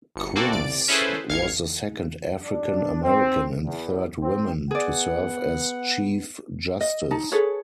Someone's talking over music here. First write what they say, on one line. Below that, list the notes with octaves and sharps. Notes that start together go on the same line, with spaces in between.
Quince was the second African American and third woman to serve as Chief Justice.
G1 C#7
A#3 C4 F#4 A4 D5
C2 D5 D7
C#4 E4 G#4 A4 B4 C5
A1 F5 F6 G#6 C#7
D4
C4
E2
C4
B3 G#4 D5 F#5
D#5
D#4 A5
G#4 A4 B4 C#5